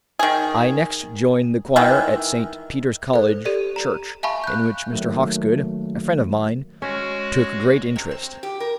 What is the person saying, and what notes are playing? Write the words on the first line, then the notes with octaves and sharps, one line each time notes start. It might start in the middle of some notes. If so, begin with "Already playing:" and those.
I next joined the choir at St. Peter's College Church, in which Mr. Hawkesgood, a friend of mine, took great interest.
D#3 G#4
D#3 E3 G#3
A4 C5
G4 A4 D5
A#5
E5 F5 G#5 A5 B5 C#6
F#6 G6
D#3 F#3 A3 A#3
G#3 C#4 F#4
C3
C4
G4
A#4